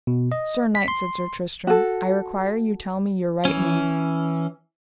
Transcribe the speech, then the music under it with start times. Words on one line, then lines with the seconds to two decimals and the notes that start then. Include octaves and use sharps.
Sir knight, said Sir Tristram, I require you tell me your right name.
0.07 B2
0.32 D#5
0.75 B6
0.88 C6
1.67 F#4 A4
3.45 E3 C#4